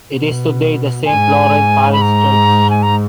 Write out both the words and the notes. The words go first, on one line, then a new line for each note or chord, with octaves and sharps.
It is today the Saint-Laurent Parish Church.
B2
G#2 G#5
B5
A#5
G#5
A#5